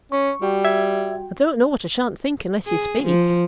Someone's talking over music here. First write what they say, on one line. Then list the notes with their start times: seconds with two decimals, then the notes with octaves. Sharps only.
I don't know what I shan't think unless you speak.
0.12 C#4 C#6
0.42 G3 F#4 G5
0.65 E5 G#6
2.66 G#4
3.04 F3